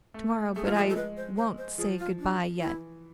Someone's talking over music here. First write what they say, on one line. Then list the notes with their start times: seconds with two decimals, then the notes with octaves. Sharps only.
Tomorrow--but I won't say good-by yet.
0.14 A3
0.55 A3 G#4
0.64 G#3 F4
0.72 F3 G#4
0.81 G#3
0.89 A4
0.96 G#3 B4
1.17 C5
1.37 C5
1.58 C5
1.78 F3 G#4
1.99 F4
2.20 D4
2.60 E3 E4